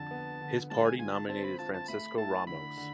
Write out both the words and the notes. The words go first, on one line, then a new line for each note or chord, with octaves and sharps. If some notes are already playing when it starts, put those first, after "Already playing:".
His party nominated Francisco Ramos.
Already playing: F2 D3 A5
B3
D3
G#3 A5
G#5
F4 G#5
A5
C4 A5
B5
F4 A5
A5
A3 B5
E4 A5
D3 B5
D3